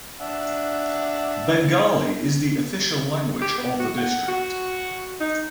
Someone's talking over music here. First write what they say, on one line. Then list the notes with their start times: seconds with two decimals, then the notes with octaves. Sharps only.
Bengali is the official language of the district.
0.20 D4 E5 F#5
3.42 G4
3.58 B3
3.79 F#4
3.98 F#5
4.28 F#4
5.20 D#4